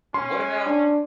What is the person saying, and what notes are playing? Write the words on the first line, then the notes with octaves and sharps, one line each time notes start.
what about,
C#4 C6
D4